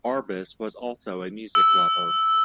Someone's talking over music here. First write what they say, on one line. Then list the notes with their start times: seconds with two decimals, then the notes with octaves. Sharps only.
Arbus was also a music lover.
1.55 E6